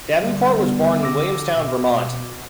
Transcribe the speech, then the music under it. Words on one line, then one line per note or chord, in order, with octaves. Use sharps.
Davenport was born in Williamstown, Vermont.
D3 G3
G3 B3
D6 E6 A#6
B2